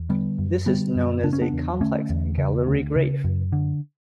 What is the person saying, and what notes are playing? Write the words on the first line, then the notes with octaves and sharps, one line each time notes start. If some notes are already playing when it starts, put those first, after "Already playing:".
This is known as a "complex gallery grave".
Already playing: E2
D3 G3 B3
F#2
D3 G3 B3
F#2
C#3 D4
C#4
B3 D4
E2
D3 A3 C#4
E2
C#3
D2
C#3
F#2
D3